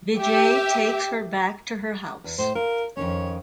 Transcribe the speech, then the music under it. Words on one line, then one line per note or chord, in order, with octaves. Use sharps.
Vijay takes her back to her house.
G4 E5
E2
A2 C5
F4 A#4
F2 D#3 C#4 C#5